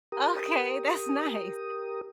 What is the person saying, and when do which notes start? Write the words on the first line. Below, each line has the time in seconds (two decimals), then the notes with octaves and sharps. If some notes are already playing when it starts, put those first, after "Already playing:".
Okay, that's nice.
0.12 G4 A#4 D#6